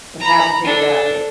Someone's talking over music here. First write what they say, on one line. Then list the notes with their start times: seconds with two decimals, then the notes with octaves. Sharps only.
I've to think about it.
0.20 A#5 B5
0.63 D4 A4